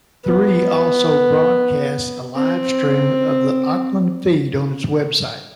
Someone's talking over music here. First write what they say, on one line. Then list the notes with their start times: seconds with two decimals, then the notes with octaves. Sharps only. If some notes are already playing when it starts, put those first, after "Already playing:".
Three also broadcasts a livestream of the Auckland feed on its website.
0.25 B3
2.35 C4